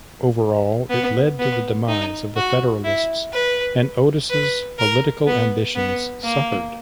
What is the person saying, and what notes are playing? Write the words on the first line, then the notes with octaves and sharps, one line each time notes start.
Overall, it led to the demise of the Federalists, and Otis's political ambitions suffered.
B3
B3
D#4
F#4
E4
B4
B4
A#4
B3
B3
A#3